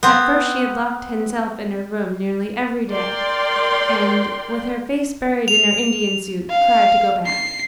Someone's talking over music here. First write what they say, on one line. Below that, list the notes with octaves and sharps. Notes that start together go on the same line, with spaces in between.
At first she had locked hen self in her room nearly every day, and, with her face buried in her Indian suit, cried to go back.
B3 C4
A#4 D5 G5 C6
F7
F5
C7